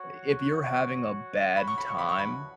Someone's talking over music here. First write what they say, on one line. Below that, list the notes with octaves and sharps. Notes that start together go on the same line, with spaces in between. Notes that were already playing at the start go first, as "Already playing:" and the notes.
I if you're having a bad time,
Already playing: F#4 C#5 F#5
B5
C#6
B5
C#6
B5
C#6
B5